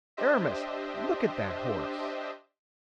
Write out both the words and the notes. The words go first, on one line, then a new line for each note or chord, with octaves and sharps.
"Aramis, look at that horse!"
D4 G4 C5 D#5 E5